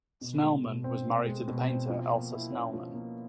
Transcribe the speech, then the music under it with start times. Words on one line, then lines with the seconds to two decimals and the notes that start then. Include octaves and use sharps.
Snellman was married to the painter Elsa Snellman.
0.21 B2
0.43 G#3
0.63 B2
0.84 C4
1.06 B2
1.26 G#3
1.48 B2
1.69 C4
1.89 F3
2.10 A#3
2.32 E4
2.52 C#4
2.73 F3
2.94 A#3